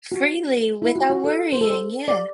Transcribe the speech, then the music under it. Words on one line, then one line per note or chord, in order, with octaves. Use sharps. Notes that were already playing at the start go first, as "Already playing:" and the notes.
freely without worrying, yeah.
F#4
E4
F#4
F#4
A4
C5
A4
C5
D5